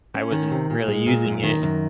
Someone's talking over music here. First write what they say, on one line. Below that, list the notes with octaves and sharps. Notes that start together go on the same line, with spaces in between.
I wasn't really using it.
C#4
D#3
C3
A#2
G#3
A#2
F#2
D#3
F#2